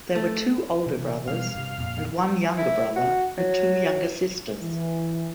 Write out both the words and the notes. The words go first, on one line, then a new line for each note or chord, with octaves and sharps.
There were two older brothers and one younger brother and two younger sisters.
A3
C3 E3
B2 E3 G3 F5
G2 C3
F2 A#2
E4
F#4
F#3
E3